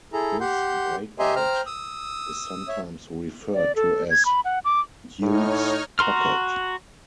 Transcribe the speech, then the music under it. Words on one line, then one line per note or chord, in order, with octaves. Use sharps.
This breakout is sometimes referred to as Hube's Pocket.
E4 G#4 A4 A#5
G4 F#5 C6 G6
G4 D#5 E5 G#5 A#5 C6
C5 G5 A#5 F6
D#6 E6
C#5 E5
D5
A4
G#6
B5
F#5
D6
A2 D#4 C#5 F6
F#4 A#5 C6 F6